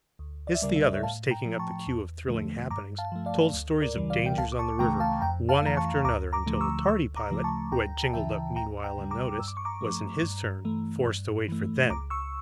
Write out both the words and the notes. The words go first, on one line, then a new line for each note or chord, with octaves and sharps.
At this the others, taking up the cue of thrilling happenings, told stories of dangers on the river one after another until the tardy pilot, who had jingled up meanwhile unnoticed, was in his turn forced to wait for them.
D2
D5
E5
C#3 G3 A#4 D5
E5
D5
C#5 E5
A2 F5 A5
G5 A#5
F3 A3
A5 C#6
E2
D3 F3 A3
G2 A#5 D6
F5 A5
F3 A3
D5 F5
D2
A#4 D5
C#3 E3 G3
D5 F5
G5
C#2 F5 A5
D6
A5 C#6
C#3 E3 A3 G5 A#5
F5 A5
F2 G5 A#5
F5 A5
E3 A3 A#5
A5 C#6
D2 A#5 D6
A#5 D6
D3 F3 A3
C#6 E6
D2 C#6 E6
A#5 D6
C#3 F3 A3
A5 C#6
D2 G5 A#5
A5
C#3 E3 E5 G5
D2 G5 A#5
G5 A#5
C#3 G3
A#5 D6
G2 E6
D6
C#6
A#5 D6
F3 A3
G2
E3 A3
G2
E3 A3
C#2 A#5 D6
C#6 E6